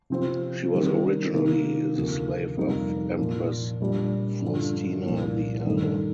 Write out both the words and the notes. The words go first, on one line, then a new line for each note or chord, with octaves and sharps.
She was originally the slave of Empress Faustina the Elder.
C3 F3 C4 F4 C5
D#3 G3 C4 G4 A#4
C3 D#3 A#3 D#4
D2 C3 F3 A#3
F2 C3 G3 A#3 D#4
A#2 F3 A#3 F4
A#2 G3 D4
G2 D3 F3
C2 A#2 F3 A#3
G2 D#3 A3